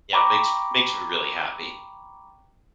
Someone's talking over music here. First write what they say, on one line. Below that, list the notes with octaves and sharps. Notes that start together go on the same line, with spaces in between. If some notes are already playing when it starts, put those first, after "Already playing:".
you know, makes makes me really happy.
G5 A#5 B5 C#6 D6